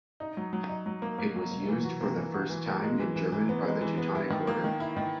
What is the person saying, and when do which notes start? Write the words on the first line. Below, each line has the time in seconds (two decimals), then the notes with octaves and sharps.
It was used for the first time in German by the Teutonic Order.
0.20 D#4
0.37 F#3
0.53 F#3
0.69 D#4
0.86 F#3
1.02 A#3
1.18 A#3
1.36 F#3
1.52 A#3
1.68 E3
1.84 F#4
2.01 A#3
2.18 E3
2.34 F#4
2.50 E3
2.66 A#3
2.83 G#3
3.00 E3
3.16 E3
3.32 E3
3.49 B3
3.65 G#3
3.81 E3
3.97 B3
4.15 E4
4.30 D#3
4.47 A#3
4.64 D#3
4.80 E4
4.97 D#3